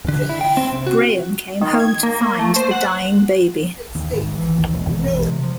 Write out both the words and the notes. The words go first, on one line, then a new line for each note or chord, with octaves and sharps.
Braham came home to find the dying baby.
D3
E4
G5
C4
C3
F#4
D#3
G#6
A#3
A3
C5
F#5
D#2
G#1
E3
D#2
E1
E1
C3
F3